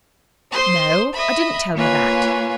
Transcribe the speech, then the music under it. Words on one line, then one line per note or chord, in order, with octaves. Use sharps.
"No; I didn't tell her that."
C5 C6 D#6
D#5 E5 B5
A#3 F4 B4 C#5 G#5